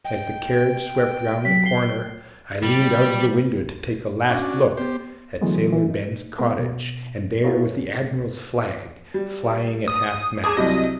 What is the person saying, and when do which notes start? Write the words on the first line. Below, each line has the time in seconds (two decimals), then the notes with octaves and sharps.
As the carriage swept round the corner, I leaned out of the window to take a last look at Sailor Ben's cottage, and there was the Admiral's flag flying at half-mast.
0.04 D#5 G5
1.45 F#3 B6
1.65 C7 G7
2.63 G3
4.30 C#4 D4 F#4
4.77 B3 G4 C5
5.41 D3 E3 F#3 G#3 A3 B3
5.73 E3
5.90 D#4
6.39 G#3 B3 A#4
6.59 B2
7.44 B3 E4 F4 G#4 A#4 C#5
9.14 G3
9.88 D#6
10.44 G#4 A5 D6 D#6
10.57 C2 C3 F#3 D#5